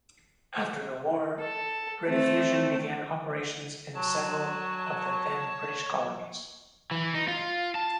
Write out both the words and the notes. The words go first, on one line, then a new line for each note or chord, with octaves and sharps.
After the war, Rediffusion began operations in several of the then British colonies.
A4
A3 C4
F#3 C#5 A5
E3
D#4
F4
A5